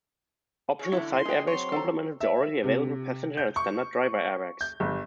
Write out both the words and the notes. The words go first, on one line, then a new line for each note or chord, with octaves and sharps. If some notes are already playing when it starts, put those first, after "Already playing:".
Optional side airbags complemented the already available passenger and standard driver airbags.
G#4 C#5
E2 D3 A3 E4
C6
F#3 D#4 G#4 D#5 G5
F#3 C4 C#5 C6
A4 A#5
E5
C3
G6
C#6
G6
G1